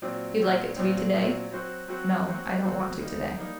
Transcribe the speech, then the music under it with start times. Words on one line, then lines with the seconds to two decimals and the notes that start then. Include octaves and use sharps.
You'd like it to be to-day? No, I don't want to to-day.
0.02 A#2 F#3 C4
0.39 A#2 F#3 C4
0.76 A#2 F#3 C4
1.14 A#2 F#3 C4
1.51 F#3 C4 F#4 C5
1.88 F#3 C4 F#4 C5
2.26 F#3 C4 F#4 C5
2.64 F#3 C4 F#4 C5
3.00 G3 A#3 D#4
3.38 G3 A#3 D#4